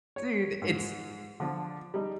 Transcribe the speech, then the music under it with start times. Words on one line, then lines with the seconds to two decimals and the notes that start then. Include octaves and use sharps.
Dude, it's
0.16 C#5
0.62 G#2
1.40 D3 F3
1.94 G3 D#4